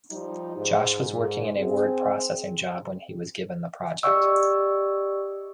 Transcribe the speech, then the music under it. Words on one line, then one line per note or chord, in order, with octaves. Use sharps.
Josh was working in a word processing job when he was given the project.
F3 G3 D#4
G#2
C4 G#4
G4 D5 D#5 C#6 E6